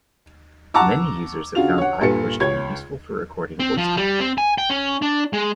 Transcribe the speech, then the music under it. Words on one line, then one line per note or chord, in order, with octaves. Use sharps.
Many users have found iPush to be useful for recording voicetracks.
F#5 A5 A#5 C#6 D6 E6
C#3 D4 F4 F#4 F7
C#5 F#5
G2 A#2 A4 B4 C#7
C#2 C#5 G#6
C4
F3
G3
C4
G#5
G5
C#4
D4
G#3